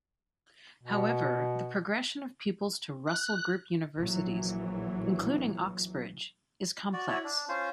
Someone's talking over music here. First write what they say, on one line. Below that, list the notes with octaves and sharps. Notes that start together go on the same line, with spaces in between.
However, the progression of pupils to Russell Group universities, including Oxbridge, is complex.
B2
F#6
A#1 E3 F#3
F#4 D5
E4 F#4 C#5 D5
D4
C#4 F4 C5